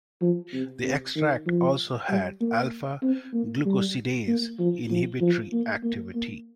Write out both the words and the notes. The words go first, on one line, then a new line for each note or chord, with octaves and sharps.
The extract also had alpha-glucosidase inhibitory activity.
F3
C3
C3
D#3
F3
G3
A#3
C4
A#3
G3
A#3
F3
F3
F3
A#3
A#3
A#3